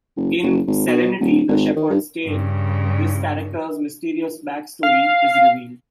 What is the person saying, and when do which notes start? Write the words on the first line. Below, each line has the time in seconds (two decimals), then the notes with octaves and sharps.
In "Serenity: The Shepherd's Tale", this character's mysterious backstory is revealed.
0.17 F#1
0.43 F#1
0.67 G#1
0.87 B2
1.20 D#1
1.48 G#1
1.76 D#3
1.90 G2
2.25 G2 C#3
4.83 F5